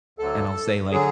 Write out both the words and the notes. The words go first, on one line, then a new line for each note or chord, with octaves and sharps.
and I'll say, like,
D2 D3 F#3 A4
D3 F#3 G#4